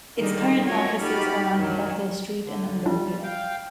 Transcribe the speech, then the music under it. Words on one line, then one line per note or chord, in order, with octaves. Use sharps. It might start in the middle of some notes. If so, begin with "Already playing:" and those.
Its current offices are on Bethel Street in Olympia.
D3 D#3 G3 D#4 G#4
F4 F#4 A#4 C#5 D#5 E5
D#4 F#4 G4 B5 F6 A6
F#2 D#3 F#3 D4
D3
G3 D4 F4
F5 G5